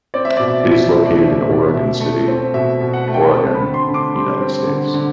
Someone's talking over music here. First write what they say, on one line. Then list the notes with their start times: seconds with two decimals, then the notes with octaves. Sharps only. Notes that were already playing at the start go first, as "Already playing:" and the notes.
It is located in Oregon City, Oregon, United States.
0.14 C4 D5
0.25 E5
0.37 B2 D5
0.48 E5
0.60 D5
0.67 B2 E5
0.83 D5
0.94 A3 E5
1.06 D5
1.18 C4 E5
1.30 D5
1.41 E5
1.47 B2
1.52 D5
1.74 B2 E5
2.00 A3
2.28 C4
2.54 B2 E5
2.81 B2
2.93 F#5
3.08 A3
3.14 G5
3.34 C4 A5
3.54 B5
3.60 D3
3.74 C6
3.87 D3
3.94 D6
4.14 G3 C6
4.41 C4
4.67 D3
4.94 D3